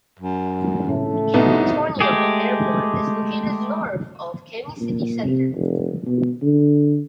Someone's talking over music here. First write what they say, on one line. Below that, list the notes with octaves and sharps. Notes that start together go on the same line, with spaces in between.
Kemi-Tornio Airport is located north of Kemi city centre.
F#2
A2 C#3 A3
C2 B3 D#4
G#3 A3 G4 G#4
A#2
C3
F1
B2
D3